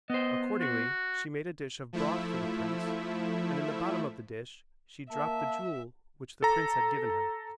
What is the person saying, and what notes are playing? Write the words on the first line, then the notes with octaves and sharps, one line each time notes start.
Accordingly she made a dish of broth for the prince and in the bottom of the dish she dropped the jewel which the prince had given her.
B3 C5 D#5
F#4
F3 A3 E4 E5
A#3 E5 A5
A4 A#5